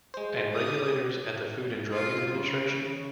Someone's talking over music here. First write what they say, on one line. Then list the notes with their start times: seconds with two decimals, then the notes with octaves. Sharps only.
And regulators at the Food and Drug Administration?
0.14 G#3 C5
0.54 D6 D#6
1.93 F4
2.35 C#3